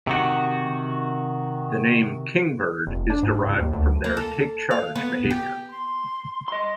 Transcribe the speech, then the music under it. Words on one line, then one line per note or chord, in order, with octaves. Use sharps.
The name "kingbird" is derived from their "take-charge" behaviour.
C3 D#3 F#4
F1
D4
G#2
C#2
D#2
D2
A#3
A4
F5
B3
G4
C6
D#5 C6